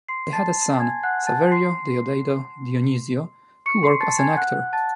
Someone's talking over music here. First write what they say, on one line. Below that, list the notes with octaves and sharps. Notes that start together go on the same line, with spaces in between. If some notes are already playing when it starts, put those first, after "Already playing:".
They had a son, Saverio Deodato-Dionisio, who worked as an actor.
C6 C7
A5 A6
G#5 G#6
F#5 F#6
A5 A6
C6 C7
C#6 C#7
C6 C7
A5 A6
G#5 G#6
F#5 F#6
A5 A6